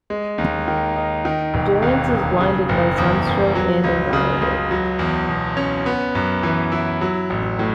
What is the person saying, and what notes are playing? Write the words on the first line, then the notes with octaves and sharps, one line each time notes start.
Durrance is blinded by sunstroke and invalided.
G#3
D#2
D#3
D#4
D#3
E1
D#2
E1
C#3
F#1
E2
F#1
F#3
C#2
C#3
C#2
F#3
E2
B2
C#4
B3
F#2
E3
E4
F#3
A1
A2